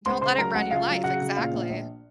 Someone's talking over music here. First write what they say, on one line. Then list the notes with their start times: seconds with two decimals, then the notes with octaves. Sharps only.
Don't let it run your life exactly.
0.06 C#2 C5 C6
0.21 C#3 C5 C6
0.38 F#3 A#4 A#5
0.55 C#2 F#4 F#5
0.71 C#3 F4 F5
0.88 F#3
1.04 C#3 F#4 F#5
1.21 C#3
1.37 A#2 F4 F5
1.54 A#1
1.70 A#1